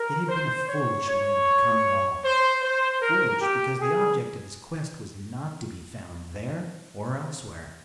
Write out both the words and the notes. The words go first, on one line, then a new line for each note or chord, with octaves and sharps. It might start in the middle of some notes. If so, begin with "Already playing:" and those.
It had been a foolish whim to come at all--foolish, because the object of his quest was not to be found there or elsewhere.
Already playing: A#4
C5
C#5
C#5
C5
C5
A#4
G4
G#4